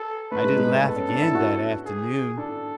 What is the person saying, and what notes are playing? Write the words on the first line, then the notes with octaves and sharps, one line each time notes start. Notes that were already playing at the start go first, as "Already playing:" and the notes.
I didn't laugh again that afternoon.
Already playing: A4
A3 B4
G#3
G#3
A3
B3 A4
C#4
D4
E4
F#4
G#4
D4 A4